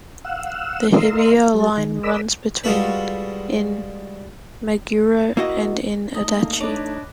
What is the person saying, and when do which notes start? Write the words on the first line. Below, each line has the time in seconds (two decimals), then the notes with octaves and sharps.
The Hibiya Line runs between in Meguro and in Adachi.
0.25 F5 F#5 E6
0.93 A#4 D#5 F5 C6 E6
1.54 G3 A4
1.77 D#3
2.03 A#4 D5 D#5 B5 E6
2.64 G3 G#3 F4 F#4 A4 B4
5.37 A#3 E4 F#4 D#5
6.14 A3 D#4 D#5
6.34 A#3
6.60 D4 B4 C#5 D#5 D6